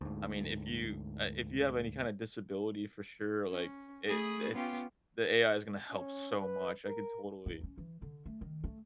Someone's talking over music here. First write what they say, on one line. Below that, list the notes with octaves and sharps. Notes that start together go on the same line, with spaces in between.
I mean, if you, uh, if you have any kinda disability for sure, like, it it's the AI is gonna help so much, I could totally
D2 G#2
C#4
A3 G#4 B5 D#6
B3 C#4 F4 G4
C#4
B4
A#4
E2
C#4
E3
D3
A3
D#3
A3